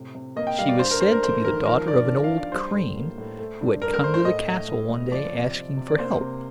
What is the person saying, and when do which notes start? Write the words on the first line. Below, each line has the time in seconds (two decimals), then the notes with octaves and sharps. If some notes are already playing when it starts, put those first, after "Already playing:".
She was said to be the daughter of an old crane who had come to the castle one day, asking for help.
Already playing: A2 C3
0.15 C3
0.36 A#3 D#5
0.47 G5
0.59 G3 F5
0.69 D5
0.79 G2 C5
0.91 A#4
1.01 G2 C5
1.11 A#4
1.23 A3 C5
1.45 D#3 A#4
1.65 F3 A#4
1.88 G2 D5
2.09 F3
2.24 F5
2.31 G2
2.37 D5
2.52 G3 C5
2.74 A2
2.96 A#3
3.18 A2
3.39 A3
3.61 G2
3.82 G2 A#4
3.94 A#4
4.04 A3 C5
4.14 C5
4.25 A2 D#5
4.48 A3
4.68 A2
4.90 A2
5.11 F3 D5
5.33 C3
5.55 C3
5.77 C3
5.88 D5
5.99 A#3 C5
6.20 C3